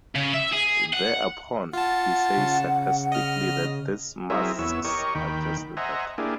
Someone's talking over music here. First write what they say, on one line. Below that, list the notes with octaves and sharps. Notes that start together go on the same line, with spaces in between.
Thereupon, he says sarcastically that these masks are just that.
C#3
E5
G#4
F#5
F4 F#5 A5
C#3
D#5 F6
F#3 C4 E4 G#4 A#4 E5
E2 B3 E4 C#5 E6
G4 A#4 C#5 D#5 C#6
D#2 D#3 G5 B5
C5 D#5 E5 F#5 G#5 A#5
A#3 D4 E4 G4 G#4